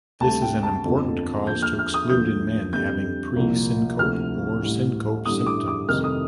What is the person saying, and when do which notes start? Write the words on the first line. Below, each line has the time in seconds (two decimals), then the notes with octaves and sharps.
This is an important cause to exclude in men having pre-syncope or syncope symptoms.
0.20 D2 C3 G3 A5
0.42 G5
0.63 A5
0.84 G1 F2 D3 F3
1.47 D#2 D3 F3 G6
1.62 F6
1.79 F6
1.94 D#6
2.09 D#2 D3 F3 G6
2.73 F2 D3 G3 G6
3.36 C2 A#2 F3
3.99 D2 C3 F3 F6
4.62 A1 A2 G3
5.26 A1 G2 D3 G3 D#6
5.47 D6
5.68 D6
5.89 F1 F2 D#3 G3 F6
6.04 D#6